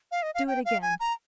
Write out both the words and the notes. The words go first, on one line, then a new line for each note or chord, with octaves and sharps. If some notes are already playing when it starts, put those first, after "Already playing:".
Do it again!
F5
D#5
F5
G5
F5
G#5
A#5